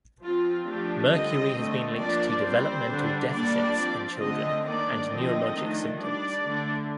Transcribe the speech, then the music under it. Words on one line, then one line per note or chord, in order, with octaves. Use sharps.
Mercury has been linked to developmental deficits in children and neurologic symptoms.
F3 C4 F4
F3 A3 D4 G4
D3 G3 C4 D#5
D3 A3 C4
F3 A#3 D4 D5
G3 C4 C5
D3 G3 D4
G3 A#3 D4 D5
F3 C4
D3 A3 C4 D#5
D#3 A#3 D4 D5
D3 F3 A3 C4 D#5
D#3 A3 D4
G3 D4 D5
D3 A3 D4